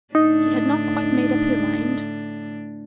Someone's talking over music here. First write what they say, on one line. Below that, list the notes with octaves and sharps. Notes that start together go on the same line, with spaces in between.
She had not quite made up her mind.
A2 D3 D4 D#4